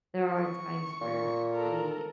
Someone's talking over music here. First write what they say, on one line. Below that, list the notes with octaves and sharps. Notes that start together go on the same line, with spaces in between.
there are times where we
C#6
A#2
A4 A#4